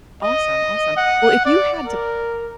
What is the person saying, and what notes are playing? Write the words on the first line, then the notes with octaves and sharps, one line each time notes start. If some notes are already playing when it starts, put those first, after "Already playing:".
Awesome, awesome. Well, if you had to
D#5
F#5
D5
A#4